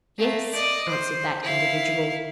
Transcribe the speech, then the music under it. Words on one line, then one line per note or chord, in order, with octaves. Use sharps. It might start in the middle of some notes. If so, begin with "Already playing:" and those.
"Yes," answered that individual.
A3 A#3
D5 D#5
C5
E4 F5